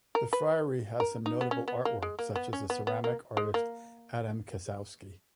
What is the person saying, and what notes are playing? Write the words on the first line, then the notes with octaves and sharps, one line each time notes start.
The friary has some notable artwork such as the ceramic artist Adam Kossowski.
A#4
B4
A#4
D#4
B3
C#4
B3
A#3
G#3
A#3
B3
C#4
B3
B3
A#3
G#3
A#3